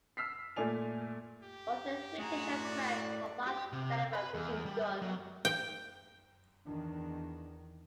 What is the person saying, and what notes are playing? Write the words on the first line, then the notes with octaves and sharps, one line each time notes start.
Both the British and French had large caliber machine guns.
E6 F6 B6 C7
A#2 A3 D5 G#5 F7
G4
A2 F#4 G#4 A#5
D5
G4
C3
B4 B5
E2
G3
F#3
G5
E2 D#3 D4